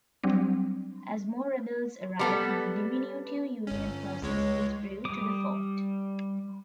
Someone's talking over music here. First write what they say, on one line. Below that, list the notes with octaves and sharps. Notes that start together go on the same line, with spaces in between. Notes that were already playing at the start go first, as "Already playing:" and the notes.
As more Rebels arrived, the diminutive Union forces withdrew to the fort.
F#3 G3 C4 D4
G3 B3 A4
G1 C#4
C#2 G#3 C#5
G3 D6 D#6